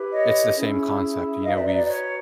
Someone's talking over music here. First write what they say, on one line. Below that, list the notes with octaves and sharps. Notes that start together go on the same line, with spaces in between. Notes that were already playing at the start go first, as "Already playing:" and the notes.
it's the same concept, you know, we've
Already playing: E4 G4 B4
C#5 D#5
C#4 E4 G#4
D#4 F#4 B4 D#5 F5
D5 E5
D5 E5
D5
C#5